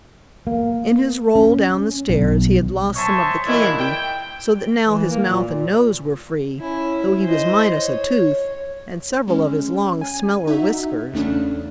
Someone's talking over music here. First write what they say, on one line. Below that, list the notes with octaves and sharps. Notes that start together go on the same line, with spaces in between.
In his roll down the stairs, he had lost some of the candy, so that now his mouth and nose were free, though he was minus a tooth and several of his long smeller whiskers.
A#3
C#4
B1
C5 C#5 D#5 E5 G#5 A5
A#2 D#3 E3 G3 G#3 E4
G5
E3
A#3
A#2
A#2
C#4 E4
C5 D#5
C#5
G#3 C#4
G#5
D#4 F#4 E5
E2 C#3 A3 C#4 D4